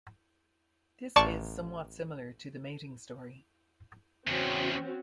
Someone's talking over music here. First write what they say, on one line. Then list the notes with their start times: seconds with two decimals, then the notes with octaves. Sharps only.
This is somewhat similar to the mating story.
1.16 A1 D5 A5 C#6
4.27 E2 C#3 C4 C#4 F#4